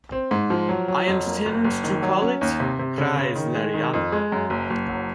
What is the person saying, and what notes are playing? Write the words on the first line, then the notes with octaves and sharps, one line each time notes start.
I intend to call it Kreisleriana.
C4
G#2
F3
F#3
F#3
F2
A#3
F#1
F#1
D#3
F#3
C#4
D#2
C3
C3
C#3
C#3
D#3
G#3
D#3
F2
G#3
F#2
F#1
F#1
F#3